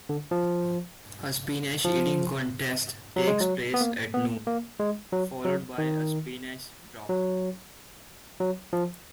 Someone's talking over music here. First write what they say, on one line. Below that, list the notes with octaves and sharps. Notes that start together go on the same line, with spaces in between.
A spinach eating contest takes place at noon, followed by a spinach drop.
D3
F3
F3
F#3
G#3
F#3
B3
A#3
B3
A#3
G#3
F#3
F#3
D#3
F#3
F#3
F3